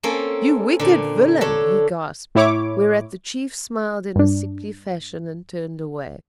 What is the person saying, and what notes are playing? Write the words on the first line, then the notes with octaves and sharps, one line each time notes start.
"You wicked villain," he gasped, whereat the chief smiled in a sickly fashion, and turned away.
A#3 C4 C#4 A4
A#2 D3
D3 A4 C#5
A2 E4 C#5 D6
G2 D4